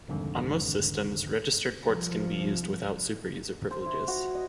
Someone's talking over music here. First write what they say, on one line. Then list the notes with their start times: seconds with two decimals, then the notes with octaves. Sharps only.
On most systems, registered ports can be used without superuser privileges.
0.08 C2 F2 G#2 D3 D#3
1.83 C2 F3
3.71 C5
3.86 E4
4.08 F#4
4.35 D#5